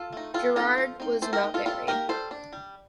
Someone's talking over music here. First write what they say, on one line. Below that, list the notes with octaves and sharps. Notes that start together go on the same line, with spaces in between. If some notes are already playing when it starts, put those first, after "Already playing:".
Gerard was not married.
Already playing: F4 A4
A3 D#4
G3 F4 A4
C4 D#4 F4 A4
F3
C4 D#4
A3 A4 C5
G4 A#4
D#4
F4 A4
G3 F4 A4
A#3 D#4 G4 A#4
G3 A4 C5
D4
G3